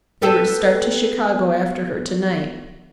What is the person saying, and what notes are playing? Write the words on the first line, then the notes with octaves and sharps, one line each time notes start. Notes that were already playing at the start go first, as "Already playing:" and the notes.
They were to start to Chicago after her to-night.
B3 G4 A4